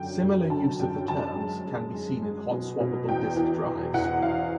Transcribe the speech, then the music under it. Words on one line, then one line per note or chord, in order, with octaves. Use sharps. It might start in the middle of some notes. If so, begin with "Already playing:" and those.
Similar use of the terms can be seen in hot-swappable disk drives.
Already playing: F#2 D3 G5
F#2
D3 A5
F#2 G5
F#2 A5
G#3
G#3
G#3
G#3
B2
B2
E2 G5
E3
E2
E2 F#5
E2 F5